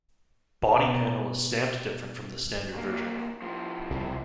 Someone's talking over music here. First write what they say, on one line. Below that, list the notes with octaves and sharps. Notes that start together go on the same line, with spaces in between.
Body panel is stamped different from the standard version.
B2 B3 A#5
C2 A#3
A2 F3
C2